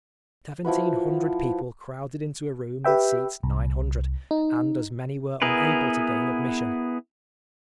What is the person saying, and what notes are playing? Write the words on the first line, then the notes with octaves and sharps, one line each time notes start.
Seventeen hundred people crowded into a room that seats nine hundred, and as many were unable to gain admission.
F3 E4 F#4 B4
G4 B4 E5 G5
C2
D#4
B3 E4 G#4 A#4 B4